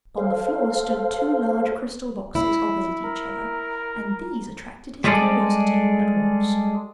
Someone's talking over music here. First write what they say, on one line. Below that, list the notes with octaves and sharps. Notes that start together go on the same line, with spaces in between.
On the floor stood two large crystal boxes opposite each other, and these attracted his curiosity at once.
A4 C5 F5
E4
A#4
G3 G#3 G#4 A4 D5